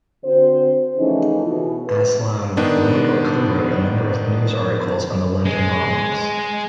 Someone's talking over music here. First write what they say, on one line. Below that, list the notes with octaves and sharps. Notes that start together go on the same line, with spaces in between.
Aslam wrote or co-wrote a number of news articles on the London bombings.
D3 C4 F#4 C5
C#3 E3 F3 A3 C#4 D#4
B2 E3
B4
D#3 B3 D4
G#3